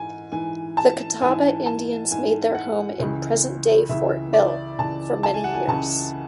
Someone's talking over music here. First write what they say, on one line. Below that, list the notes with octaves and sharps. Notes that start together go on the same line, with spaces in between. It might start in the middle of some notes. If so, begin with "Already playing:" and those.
The Catawba Indians made their home in present-day Fort Mill for many years.
Already playing: G#2 E3 G#5
G#2 E3 G#5
A5
G#2 E3 G#5
A5
G#2 E3 G#5
F#5
C#2 C#3 E3
C#2 C#3 E3 E5
D5
C#2 C#3 E3 A5
A5
G#5
F#5
G#5
C#2 C#3 E3 A5